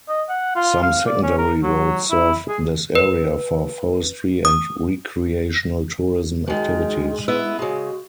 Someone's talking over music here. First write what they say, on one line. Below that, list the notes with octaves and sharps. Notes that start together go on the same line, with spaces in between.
Some secondary roads serve this area for forestry and recreational tourism activities.
D#5
F#5
F4
F5
D5
C#4
A#4
F#3
E4
G#4
B4
D#6
F#2 D#3 G#3
B3 E4 E5
C#3 G#3 F#4